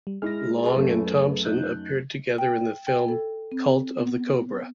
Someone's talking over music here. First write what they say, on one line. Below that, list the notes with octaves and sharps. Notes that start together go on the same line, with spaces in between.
Long and Thompson appeared together in the film "Cult of the Cobra".
G3
G#3 E4 F6 A#6
G#4 B4
F#2 A3
D#4 F#6 G6
G5
G5
A4
C4
B3